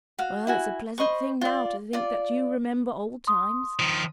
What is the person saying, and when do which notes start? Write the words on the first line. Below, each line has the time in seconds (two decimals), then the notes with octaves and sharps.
Well, it's a pleasant thing now to think that you remember old times.
0.19 F#4 F5
0.47 E4 F#4 G#5
0.98 C5 D#5 B5 C#6
1.41 F4 D5
1.93 F4 D5
3.27 C6 D#6
3.79 D#3 F3